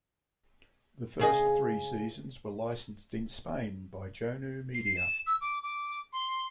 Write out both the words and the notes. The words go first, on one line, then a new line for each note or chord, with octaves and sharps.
The first three seasons were licensed in Spain by Jonu Media.
C#3 G#4 D#5
C7
E7
E6
D6
D6
C6